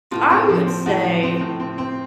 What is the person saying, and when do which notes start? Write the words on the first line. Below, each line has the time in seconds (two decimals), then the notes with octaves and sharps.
I would say,
0.11 A2 F4
0.30 C4
0.49 F3
0.67 C4
0.86 A2 F#4
1.04 F3
1.23 C4
1.41 A2
1.60 C4
1.78 C4